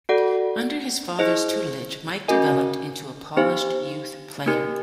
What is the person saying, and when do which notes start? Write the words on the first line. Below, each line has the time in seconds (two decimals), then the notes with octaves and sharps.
Under his father's tutelage, Mike developed into a polished youth player.
0.09 F#4 A4 D5 F#5
1.19 E4 G#4 C5 D#5
2.28 C#4 F#4 A#4 D#5 G#5
3.37 B3 D#4 G4 C5 F5
4.46 A#3 D#4 G4 A#4